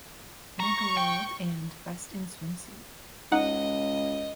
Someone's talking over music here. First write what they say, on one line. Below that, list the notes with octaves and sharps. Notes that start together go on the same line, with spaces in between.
Megaworld and Best in Swimsuit.
A#5 C#6
G5
C#2 D#4 D#5 F#5